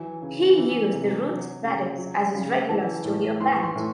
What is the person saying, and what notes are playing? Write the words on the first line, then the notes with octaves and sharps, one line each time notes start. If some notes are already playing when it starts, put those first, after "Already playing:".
He used the Roots Radics as his regular studio band.
Already playing: E3 F#3 G#5
C#3
E3
C3
F#3
C#3
F#3
C#3
E3 A5
A2
E3 C6
C#6
C6
A2